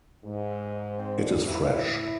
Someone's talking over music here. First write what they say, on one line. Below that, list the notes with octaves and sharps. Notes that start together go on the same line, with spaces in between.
It is fresh.
G#2
C4
D4
E4
F4
A2 E4